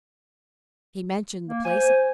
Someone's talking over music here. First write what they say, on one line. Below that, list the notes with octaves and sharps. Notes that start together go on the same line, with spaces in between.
He mentioned the placing.
A#3
C5 G#5